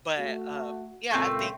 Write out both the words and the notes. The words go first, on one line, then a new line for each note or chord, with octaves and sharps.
But, um, yeah, I think
A3 F#4
C#2 A#2 A3 C4